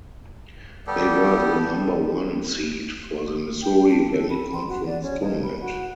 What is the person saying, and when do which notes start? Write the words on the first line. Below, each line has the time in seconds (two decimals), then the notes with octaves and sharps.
They were the number one seed for the Missouri Valley Conference Tournament.
0.87 G3 B3 G4 A4
3.62 G5
3.91 A5
4.11 A4
4.30 B5
4.54 C6
4.68 F#4
4.86 D5
5.02 C#4
5.21 D#4
5.43 B5
5.60 F#4